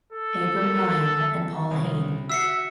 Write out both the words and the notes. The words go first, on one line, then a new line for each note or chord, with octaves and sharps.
Abram Ryan, and Paul Hayne.
A4
A#3
E5 A5 E6
C2 C#5 D#6
F#4 E5 E6 C7 C#7